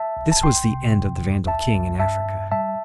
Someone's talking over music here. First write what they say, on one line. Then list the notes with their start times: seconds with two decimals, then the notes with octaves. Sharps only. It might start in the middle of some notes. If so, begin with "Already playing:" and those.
This was the end of the Vandal king in Africa.
Already playing: E5 A5
0.17 C2
0.32 A5
0.43 C2 G5 C6
0.70 C3
0.96 E2
1.22 E2
1.47 C2 E5 A5
1.74 C2
1.99 G2 E5 A5
2.26 G2
2.52 G3 E5 A5